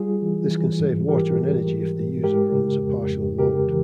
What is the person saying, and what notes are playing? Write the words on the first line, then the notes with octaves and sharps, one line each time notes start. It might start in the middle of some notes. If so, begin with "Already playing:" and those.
This can save water and energy if the user runs a partial load.
Already playing: G3 F4 G#4
E3
E3
G#2
E3 G4 A#4
G#2
G#2
G#2
G#3 G4 A#4
C#3
F2
F2
C#3 G4 A#4
E3